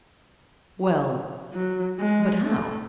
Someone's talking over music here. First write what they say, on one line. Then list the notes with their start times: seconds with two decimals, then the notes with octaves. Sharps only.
"Well; but how?"
1.54 F#3
1.99 G#3
2.46 A3